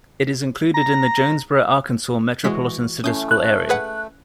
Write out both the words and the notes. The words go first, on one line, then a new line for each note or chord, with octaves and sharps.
It is included in the Jonesboro, Arkansas Metropolitan Statistical Area.
A#5
E3 G#3 F#4 B6
A3 C#4 E4 D#6 G6 C7
F#6
G#4 B4 F#5